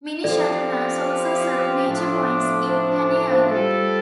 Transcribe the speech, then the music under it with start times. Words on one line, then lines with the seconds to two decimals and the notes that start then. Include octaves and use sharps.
Mini-shuttle vans also serve major points in Panay Island.
0.24 F3 C4 G4 A4 D5
1.87 A2 F3 A3 D4
2.69 C5
2.89 C5
3.10 C5
3.30 C5 F5
3.51 G3 F4 A4